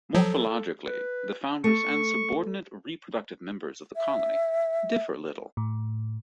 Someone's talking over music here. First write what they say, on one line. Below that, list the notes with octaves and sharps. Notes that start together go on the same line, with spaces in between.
Morphologically, the foundress and subordinate reproductive members of the colony differ little.
F3 F#3 A4
B4
A3 C#6
E5
A2